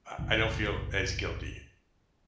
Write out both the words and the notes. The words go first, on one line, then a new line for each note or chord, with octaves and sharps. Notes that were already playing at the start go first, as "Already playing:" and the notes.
uh, I don't feel as guilty
G1 C#2 A#2 E3